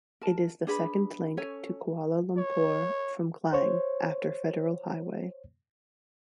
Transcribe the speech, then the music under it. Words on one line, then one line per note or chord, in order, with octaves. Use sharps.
It is the second link to Kuala Lumpur from Klang after Federal Highway.
A#4 A5
D4 G#4 B4 B5
C#4 A4 C#5 G#5
C#5
C5 C#5